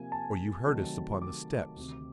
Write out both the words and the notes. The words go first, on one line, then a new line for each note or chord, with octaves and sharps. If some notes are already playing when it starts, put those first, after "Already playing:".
Or you heard us upon the steps?
Already playing: C3 F3 A#3 G#5
A5
C3 D#3 F#3 A3
D6
D2 C3 D#3